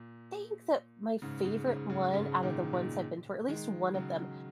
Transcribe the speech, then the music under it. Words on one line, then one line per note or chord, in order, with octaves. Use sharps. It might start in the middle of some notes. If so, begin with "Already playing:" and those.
think that my favorite one, out of the ones I've been to or at least one of them,
Already playing: A#2
G#2 C#3
G#2 C#3
G#2 C#3
G#2 C#3
G#2 C#3
A#2 D#3
A#2 D#3
D#3 G#3
C#3 F#3